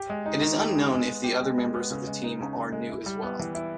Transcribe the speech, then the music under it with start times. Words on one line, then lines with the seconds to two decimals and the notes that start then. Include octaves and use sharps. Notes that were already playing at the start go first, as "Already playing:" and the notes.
It is unknown if the other members of the team are new as well.
Already playing: G4
0.10 G#3
0.26 D#4
0.42 D#3
0.59 G4
0.75 G#3
0.91 G#3
1.08 B3
1.24 G4
1.41 G#3
1.58 G#3
1.74 B3
1.90 C#3
2.07 G#3
2.24 D#4
2.40 C#3
2.57 C#3
2.72 G#3
2.89 E4
3.06 G3
3.23 B3
3.39 E3
3.55 E4